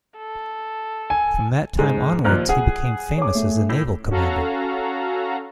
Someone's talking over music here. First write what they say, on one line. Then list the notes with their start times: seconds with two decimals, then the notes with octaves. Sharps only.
From that time onwards, he became famous as a naval commander.
0.18 A4
1.10 G#5
1.79 G#2 G#4
2.24 D#2 A#2 F3 C5 F6 F#6
2.49 G#4 F#5
3.18 C#5 D6
3.35 A3
3.69 A2
4.10 C#4 F#4 A4 F5 A#5